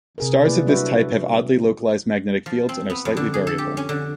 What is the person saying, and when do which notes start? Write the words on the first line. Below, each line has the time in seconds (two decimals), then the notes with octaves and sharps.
Stars of this type have oddly localised magnetic fields and are slightly variable.
0.18 C3 G#4 A#4
0.45 A#3 E4 G#4 B4 D5
0.67 F#3 G3 D4 F#4 B4 E5
2.46 F3
2.69 C4
2.90 B3
3.05 F2
3.17 D3
3.34 G#4
3.47 A4
3.58 G4
3.77 C#4
3.89 D3